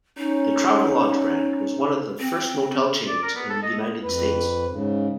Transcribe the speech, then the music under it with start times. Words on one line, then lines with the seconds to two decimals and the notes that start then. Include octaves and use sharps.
The Travelodge brand was one of the first motel chains in the United States.
0.18 C#4 D#4
2.20 C4
3.08 D5
3.23 A#4
3.35 B3
3.49 A4
3.63 D#5
4.02 F2 B4
4.68 G#2 C#3